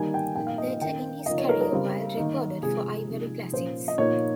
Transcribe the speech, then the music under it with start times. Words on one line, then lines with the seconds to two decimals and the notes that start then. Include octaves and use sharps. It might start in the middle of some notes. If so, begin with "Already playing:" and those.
Later in his career, Wild recorded for Ivory Classics.
Already playing: D#3 G3 A#3 D#4 G#5
0.14 G5
0.36 A#2 F3 A#3 D#4 G5
0.47 F5
0.58 D#5
0.70 F5
0.81 D#3 A#3 C#4 G5
1.26 C#3 F3 A#3 D#4 D#5
1.38 C#5
1.49 A#4
1.61 A#4
1.72 C#3 G3 C4
2.17 D#3 A#3 D#4
2.63 C3 F3 G#3 G#4
3.08 C3 F3 G#3 D#4
3.52 A#2 F3 A#3 C#4 C5
3.88 D#5
3.98 A#2 F3 A#3 D#4 C#5